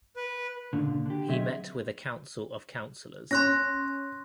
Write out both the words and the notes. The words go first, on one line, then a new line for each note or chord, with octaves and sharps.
He met with a council of councilors.
B4
C#2 A#2 D3
D3 G4
B1 F#3 C4 G#4 D#5 E5
C#4 C6 F#6 A#6